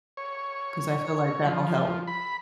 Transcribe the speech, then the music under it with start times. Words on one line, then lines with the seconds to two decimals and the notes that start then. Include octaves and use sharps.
'Cause I feel like that'll help.
0.17 C#5
1.47 F3
2.07 B5